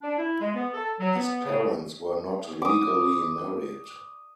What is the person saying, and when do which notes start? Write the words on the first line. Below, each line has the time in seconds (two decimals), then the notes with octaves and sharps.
His parents were not legally married.
0.02 D4
0.18 E4
0.41 G#3
0.55 B3
0.73 A4
1.00 F#3
1.14 B3
1.44 C#3
2.62 D6 D#6